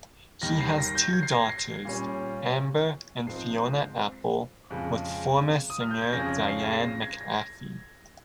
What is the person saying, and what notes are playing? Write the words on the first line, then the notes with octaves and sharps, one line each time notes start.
He has two daughters, Amber and Fiona Apple, with former singer Diane McAfee.
D#2 D#3 G3 A#6
C7
A#6
G6
G#6
C7
A#6
C7
A#2 G3 C#4
G#2 F3 C4 C7
F2 C#3 G#3
D#6
F6
G6
G#6
F2 C#3 G#3 C#4 A#6
C7
A#6
G#6
A#6